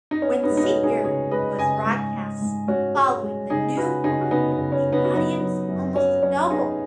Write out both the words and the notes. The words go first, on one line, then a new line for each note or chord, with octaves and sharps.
When "See Hear" was broadcast following the new format the audience almost doubled.
D#4
B3 C#4
B3 D#4
G#3
D#4
C#4 F#4
B3
D#4 G#4
C#3 G#4 C#5
G#3 B4 D#5
C#3 D#5 G#5
G#2
G#2
G#2
G#2 C#4 F#4
G#3
G#3
C#3 D#4 G#4
C#3 F#4 B4
C#3 D#4 G#4
F#4
C#3 B3 D#4
B3
C#3
C#4
C#3
B3 D#4
F#4
F#3 B3 D#4
F#3
F#2
F#3 C#4
F#3 C#4
B3 D#4 G#4